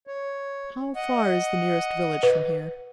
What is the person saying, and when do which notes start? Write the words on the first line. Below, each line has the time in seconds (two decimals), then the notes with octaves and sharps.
"How far is the nearest village from here?"
0.07 C#5
0.95 D#5 F#5
2.23 B4